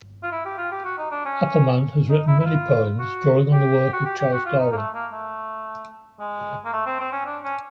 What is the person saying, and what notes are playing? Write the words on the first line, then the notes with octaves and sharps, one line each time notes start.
Appleman has written many poems drawing on the work of Charles Darwin.
F4
E4
G4
F4
G4
F#4
D#4
D4
C#4
D#4
E4
E4
F4
F#4
G4
F#4
G4
G4
F#4
F4
D#4
A#3
A3
A#3
A3
G#3
A#3
A3
C4
C4
C#4
D4
C#4